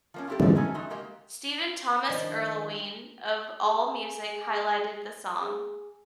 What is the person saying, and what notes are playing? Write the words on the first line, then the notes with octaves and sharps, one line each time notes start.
Stephen Thomas Erlewine of AllMusic highlighted the song.
F3 A#3 C#4
F3 C4 E4 G4 A4
D3
A3 C#4 D#4 A4 G#5
G#3 A3 D#4 F#4
G#3 A#3 G4
D#3 F3 D4 E4 C5 D5 D#5
G#4
G#4